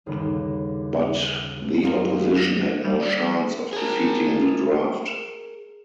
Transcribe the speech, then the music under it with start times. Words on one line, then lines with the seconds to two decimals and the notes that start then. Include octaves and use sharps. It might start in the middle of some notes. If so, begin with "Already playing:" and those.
But the opposition had no chance of defeating the draft.
0.06 G1 D#2 C#3
1.82 F#2 F#3 F4 A#5
2.84 G3
3.73 G#4 A#4